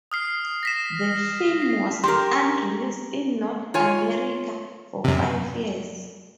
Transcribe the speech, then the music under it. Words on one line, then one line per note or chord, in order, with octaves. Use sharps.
The film was unreleased in North America for five years.
D#6 F6 C7
A#6 B6 E7
C7
G4 A#4 C6
F4 C#5 G#5
F#2 C3